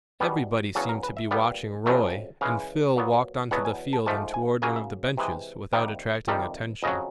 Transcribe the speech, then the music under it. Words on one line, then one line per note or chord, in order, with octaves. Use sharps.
Everybody seemed to be watching Roy, and Phil walked on to the field and toward one of the benches without attracting attention.
E2 B2 G3 B3
E2 C#3 F#3 A4
A#4
B4
E5
A#2 G3 B3
F2 C#3 F#3 A3
C#3 E3 G#3 F5
A#2 F#3 B3
E2 B2 F#3 B3 F#5
G#5
A5
G#2 F3 A3 A5
G#5
C#3 F#3 A#3 G#5
E5
D#5
C3 E3 G#3
C3 D#3 G3 A#3
F2 C3 D#3 G3
F2 C#3 F#3 D#5